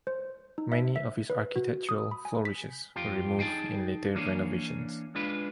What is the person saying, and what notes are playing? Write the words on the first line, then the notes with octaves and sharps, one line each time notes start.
Many of his architectural flourishes were removed in later renovations.
C5
D#4
E5
E5
B4
F#4
D#6
B5
G#5
B6
F2 F4 G4
D#4 G#4 G5 A5
E3 A#3 C#4 D4
G#3 D4 F4 B4